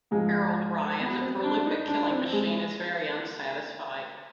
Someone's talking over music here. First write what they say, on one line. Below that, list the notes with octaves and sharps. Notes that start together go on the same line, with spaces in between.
Harold Ryan, the prolific killing machine, is very unsatisfied.
G#2 F3 G#3
B3
C4
D4
D#4
D4
C4
G#3